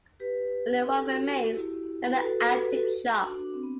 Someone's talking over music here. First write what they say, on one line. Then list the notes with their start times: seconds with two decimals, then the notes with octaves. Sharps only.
Only one remains, now an antique shop.
0.20 G4 B4
0.86 A4
0.97 G4
1.05 F#4 A4
1.43 F#4
1.54 E4 G4
2.13 B4
2.21 F#4 A4
2.54 G4 B4
2.71 F#4 A4
3.21 D4 F#4
3.33 D4
3.45 D4
3.54 C4
3.63 B3